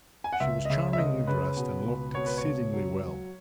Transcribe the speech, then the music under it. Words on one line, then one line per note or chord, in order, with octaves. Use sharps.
She was charmingly dressed and looking exceedingly well.
G#5
F#5
C#2 E5
D#5
C#3 E5
E5
C#2 D#5
C#3 B4
B2
C#2
B2 C#5
B4
C#5
C#2
F#3
F#3